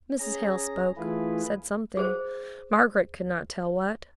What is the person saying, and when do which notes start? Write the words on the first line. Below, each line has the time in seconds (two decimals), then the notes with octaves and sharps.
Mrs. Hale spoke--said something--Margaret could not tell what.
0.19 C#4 G#4 A#5
0.97 E3 A3 E4 F4 G#4 B4
1.97 G#4 C5